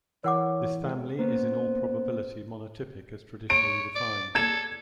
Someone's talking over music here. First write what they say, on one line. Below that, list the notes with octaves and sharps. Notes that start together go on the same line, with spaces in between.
This family is in all probability monotypic as traditionally defined.
E3 A#4 C#5 F#5 D6
G#3
A#3 B3 C#4 C5
C#5 D7
D5
A4 G#6 E7